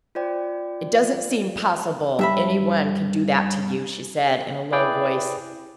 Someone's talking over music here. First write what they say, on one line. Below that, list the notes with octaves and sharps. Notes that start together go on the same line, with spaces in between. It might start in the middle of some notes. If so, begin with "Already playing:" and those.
"It doesn't seem possible any one could do that to you," she said, in a low voice.
F4 C5 D5 G5
G2 E5 B5
E4 G#4 B4 D5 G5